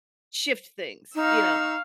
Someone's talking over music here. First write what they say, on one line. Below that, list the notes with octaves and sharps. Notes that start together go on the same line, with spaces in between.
shift things, you know,
D#4 F5 C#6 E6